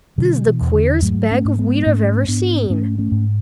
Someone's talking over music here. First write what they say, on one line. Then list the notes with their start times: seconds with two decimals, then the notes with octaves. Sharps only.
This is the queerest bag of wheat I've ever seen!
0.18 B2 D3 F#3
0.46 E3
0.61 E2
0.74 D3
1.02 G#2 F#3 A3
1.31 A3 C#4
1.45 G#2
1.58 G#3 B3
1.86 G#2 A3 C#4
2.28 G#2 B3 D4
2.70 G#2 A3 C#4
2.98 A3 C#4
3.12 G#2